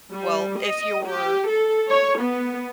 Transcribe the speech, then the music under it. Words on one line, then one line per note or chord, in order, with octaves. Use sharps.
Well, if you're
G3
D#5
G4
A4
C#5
B3